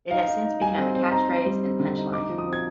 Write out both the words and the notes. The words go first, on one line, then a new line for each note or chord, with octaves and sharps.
It has since become a catchphrase and punchline.
D#4 F5
D#4
D#4
G3 G#5
C4
C4
D#4 A#5
C4
G3
C4
D3
D#4
D#4 D6
F3
D#6
C4
G#6